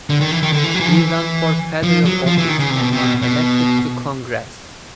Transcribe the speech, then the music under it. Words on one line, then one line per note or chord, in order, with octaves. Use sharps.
He ran for federal office and was elected to Congress.
D3
D#3
E3
D#3
D3
E3
F#3
E3
F3
E3
F3
F#3
F3
E3
D#3
C#3
C3
B2
C3
B2
B2